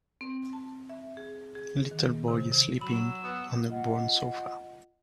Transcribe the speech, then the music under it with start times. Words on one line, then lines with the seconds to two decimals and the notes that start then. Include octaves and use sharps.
Little boy is sleeping on a brown sofa.
0.21 C4
0.53 A5
0.90 E5
1.17 G#4
1.55 G#4
1.91 D#3
2.28 C3
2.51 C3
2.81 F#3 B5 E6
3.24 B3
3.68 F4 D#5 F#5